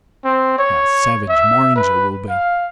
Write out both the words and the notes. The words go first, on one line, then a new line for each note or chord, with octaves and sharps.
How savage Morringer will be!
C4
C#5
E5
B4
F5